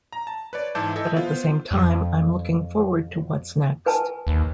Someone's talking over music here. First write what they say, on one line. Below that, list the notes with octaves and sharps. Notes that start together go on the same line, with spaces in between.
But at the same time, I'm looking forward to what's next.
A#5
A5
B4 C#5 D5
G#2 E3 E4 A5 D6 G6
E4 A4 D#5 E5
B3 F4 C5
F2
B4 G#5 A5
D#2